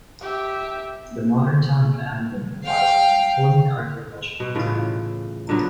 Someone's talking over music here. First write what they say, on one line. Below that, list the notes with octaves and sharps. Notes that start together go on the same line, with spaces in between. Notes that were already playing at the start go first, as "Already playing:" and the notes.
The modern town of Amioun lies on an important archaeological tell.
G4 E5
F5 G5
B2
A2 C#3 E3 F4
A#2 D3 F#3 B3